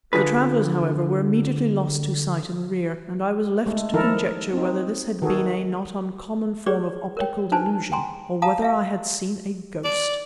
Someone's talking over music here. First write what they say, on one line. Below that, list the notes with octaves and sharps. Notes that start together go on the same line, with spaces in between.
The travellers, however, were immediately lost to sight in the rear, and I was left to conjecture whether this had been a not uncommon form of optical delusion or whether I had seen a ghost.
D3 F4 G#4 B4
G#3 A3
D#3 F3 D#4 E4 A4 A#4
C4 D#4
D#3 F#4 G#4 A4
G4 G#4 B4 C#5 D5
A#4 C#5 G5
D4 D#4 B4 C5 G#5 A5
G5 G#5 A#5 C6
F5 F#5 A5 A#5 D#6
E5 F5
D5